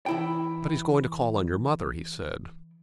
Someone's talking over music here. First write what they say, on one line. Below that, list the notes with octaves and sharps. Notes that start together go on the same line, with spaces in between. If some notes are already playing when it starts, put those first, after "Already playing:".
"But he's going to call on your mother," he said.
E3 E4 G5